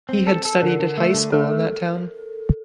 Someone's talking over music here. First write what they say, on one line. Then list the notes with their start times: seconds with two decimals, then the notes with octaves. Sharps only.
He had studied at high school in that town.
0.09 C4
0.27 A4
0.45 A4
0.62 D3 A#4
0.80 D3
0.98 A3
1.14 D3
1.32 A3 A4